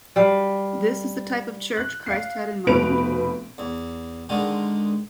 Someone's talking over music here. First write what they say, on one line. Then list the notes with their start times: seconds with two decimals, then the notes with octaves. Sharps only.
This is the type of church Christ had in mind?
0.16 G3 F5
1.77 F#6
2.06 F5 C7
2.67 F1 B2 C4 B4 D7 F7
3.58 E2
4.29 D3 D#3 G#3